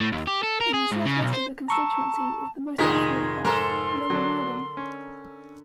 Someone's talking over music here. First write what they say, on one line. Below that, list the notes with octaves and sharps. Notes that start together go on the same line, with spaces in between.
In the south-west of the constituency is the most affluent part, Lower Morden.
A2
D#2
G4
A4
A#4
G#4
G#2
C#3
B1
C5
A5 A#5 C#6 E6
F1 A#2 D#3 G#3 D#4 A#4 B6
G#2 A4 A#4 C6
D3 F#3 D4
C#4